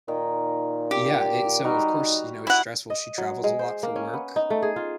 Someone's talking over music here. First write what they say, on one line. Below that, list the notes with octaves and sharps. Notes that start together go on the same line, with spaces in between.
Yeah, i so, of course, you know, it's stressful. She travels a lot for work,
A#2 D#3
G4
G3 D#4 F#4 A#5
E4 F#5
D#5
F#3
G#3
C5
A#3
C#4
B3
D#4
A3
G#4
F4